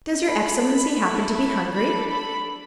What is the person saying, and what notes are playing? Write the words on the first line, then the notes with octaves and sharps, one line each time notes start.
"Does your excellency happen to be hungry?"
D4 A4 B5
B5
A3 E4 A4
B5
D4 A4 B5
B5